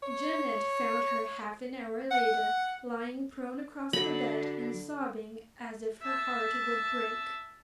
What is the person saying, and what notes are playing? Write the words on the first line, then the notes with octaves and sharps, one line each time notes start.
Janet found her half an hour later lying prone across the bed, and sobbing as if her heart would break.
C#5
F#5
D3 F#3 D4 B5
E5 A5